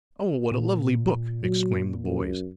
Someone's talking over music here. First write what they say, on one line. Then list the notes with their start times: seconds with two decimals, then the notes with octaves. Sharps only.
"Oh, what a lovely book!" exclaimed the boys.
0.52 A#2
1.43 F#3
2.04 F#2